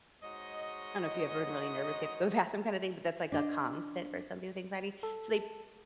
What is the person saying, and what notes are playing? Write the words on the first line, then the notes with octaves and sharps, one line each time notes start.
I don't know if you ever been really nervous, you have to go to the bathroom kind of thing, but that's, like, a constant for somebody with anxiety. So, they
G#2 F#4 C#5 D#5
D4 D#5
A4